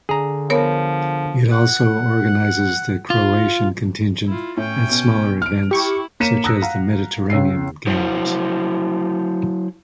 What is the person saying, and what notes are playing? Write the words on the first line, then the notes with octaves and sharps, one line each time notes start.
It also organizes the Croatian contingent at smaller events such as the Mediterranean Games.
D3 G#4 A#5
F3 B3 A#4 C#5
F#5
F4
E4 F4
A2 C#4 G5
B2
F6 D7
E4 G4 C#6
A#3 C#5 B6 C#7 D#7 E7
A#5 D#6 E6 F#6 A#6
F5 F#5 A#5
C#2 C#4 E6 C7
F#3 E4 C5